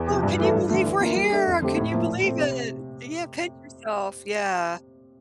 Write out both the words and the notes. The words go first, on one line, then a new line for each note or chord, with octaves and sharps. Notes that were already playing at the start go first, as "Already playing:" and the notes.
Oh, can you believe we're here? Can you believe it? Yeah, pinch yourself. Yeah.
Already playing: E2
C3 F3
G2
E3 A3 E4 A4
G2
D3 A3
E3
A#3 F4 A#4 E5
G3
D4 A4 E5
F2
D3 A3 C4 G4
A2
F3 A#3 E4
A#2
A3 C4
C3